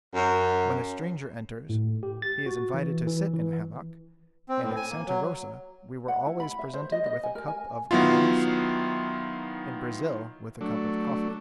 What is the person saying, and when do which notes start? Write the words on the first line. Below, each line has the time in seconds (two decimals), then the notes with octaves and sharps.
When a stranger enters, he is invited to sit in a hammock; and at Santa Rosa we were always presented with a cup of guayusa; in Brazil with a cup of coffee.
0.14 F#2
1.69 A2
2.03 G4
2.22 A6
2.46 F#4
2.74 E3
3.07 E3
3.34 E3
4.49 C4
4.63 A2
4.76 G#5
4.89 A#3
5.07 F#3
6.08 F#5
6.26 E4
6.40 B5
6.59 E5
6.74 C5
6.92 D#5
7.06 D#5
7.23 G#5
7.35 A#4
7.48 G#5
7.91 D#3 F#3 B3 E4 F4
10.61 F#3 A3 D4